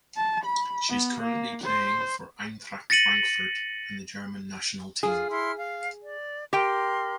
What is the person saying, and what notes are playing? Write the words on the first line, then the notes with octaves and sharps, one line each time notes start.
She is currently playing for Eintracht Frankfurt and the Germany national team.
A5
B5
B3
A#3
C5
A6 A#6 C#7 D#7 F#7
F4 G#4
E4 C6 F6
F5
D5
G4 A#4 G5 C6